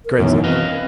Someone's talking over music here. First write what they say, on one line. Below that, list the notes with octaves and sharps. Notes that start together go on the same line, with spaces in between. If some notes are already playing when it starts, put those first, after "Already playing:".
Great example.
A#4
F#2 B2 D#3 E3
C4 B4 D#5 F5